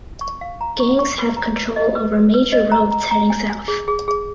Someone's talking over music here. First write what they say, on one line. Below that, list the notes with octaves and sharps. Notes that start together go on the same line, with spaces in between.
Gangs have control over major roads heading south.
C#6
F5
A#5
C#6
C#6
B4
A#5
B4
D#5
B4
B4
B4
D#5
A#5
A#5
A#5
G#5
G#5
G#4
G#4
G#4